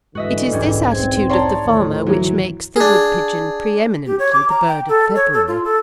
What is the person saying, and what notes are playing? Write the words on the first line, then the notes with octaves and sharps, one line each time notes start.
It is this attitude of the farmer which makes the woodpigeon pre-eminently the bird of February.
G#2 D3 E3 F#4 D#5 E5
D#1 B1 G#2 G3 C#4
E2 C4 G#6
C#5 D5 A5 A#5 C6
D2 A2 D#3 F3
E3 F#3
D4 G#4
G4
C#5
D6
A#5
G5
A4
C#5
A4
F4
A4